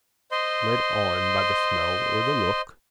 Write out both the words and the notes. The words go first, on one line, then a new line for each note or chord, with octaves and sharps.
Led on by the smell or the look.
C5 D#5 C6